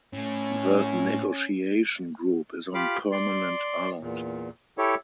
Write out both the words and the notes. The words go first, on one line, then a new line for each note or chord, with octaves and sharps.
The Negotiation group is on permanent alert.
A2 C#4
F4 G4 F5 B5 D6
D5 C6
E2 A#2
E4 G4 A4 C#5